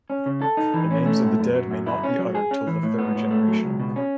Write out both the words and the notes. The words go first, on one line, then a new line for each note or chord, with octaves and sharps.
The names of the dead may not be uttered till the third generation.
C#4
C#3
A4
D#4
E3
C#4
A3
G#2
F#2
F#3
F#2
E4
C#4
F#3
G#4
C#4
E3
A2
B3
A2
A3
F#3
C#2
B2
C#4